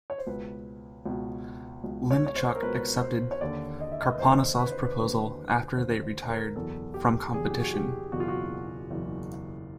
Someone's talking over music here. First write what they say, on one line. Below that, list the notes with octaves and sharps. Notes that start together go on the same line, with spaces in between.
Linichuk accepted Karponosov's proposal after they retired from competition.
C#5
C5
C#2 B2 B4
C#2 B2
C#2 B2
C#5
C#5
C5
A#4
C#2 B2 B4
C5
C#5
D#2 D3 D5
D#5
E5
D#5
B4
D#2 D3 C5
B4
C5
B4
D#2 D3 B4
D#2 D3 C5
C5
A#4
F#1 E2 B2 A4
G4
F#1 E2 B2 G#4
G4
F#4
G4
F#1 E2 B2 F#4
F4
F#4
F#1 E2 B2